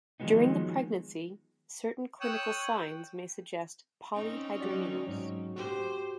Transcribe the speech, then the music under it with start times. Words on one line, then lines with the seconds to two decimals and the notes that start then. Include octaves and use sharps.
During the pregnancy, certain clinical signs may suggest polyhydramnios.
0.20 D#3 F3 F#3 G#3 B3 D#4
2.21 C#5 G5 D#6 E6 F#6
4.14 C4 C#4 D#4
4.61 F#3 F#4 D5
5.07 G#2 F#3
5.56 F#4 G4 C5